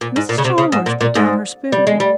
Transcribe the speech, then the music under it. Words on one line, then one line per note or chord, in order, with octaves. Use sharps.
Mrs. Chalmers put down her spoon.
A#2
G#2
A#2
C#3
C3
C#3
G#2
A#2
A#2
G#2
G3
G#3
G3